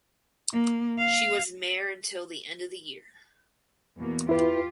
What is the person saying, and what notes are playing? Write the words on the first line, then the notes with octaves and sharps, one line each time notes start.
She was mayor until the end of the year.
A#3
F5
E2 B2 A#3
E4 F4 G4 B4